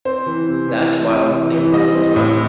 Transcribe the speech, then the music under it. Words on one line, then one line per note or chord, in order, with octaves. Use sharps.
That's wild to think about as well.
C4 C5
E3
C3
E3
E3
C3
E3
E3
G3 D#5
C4
A2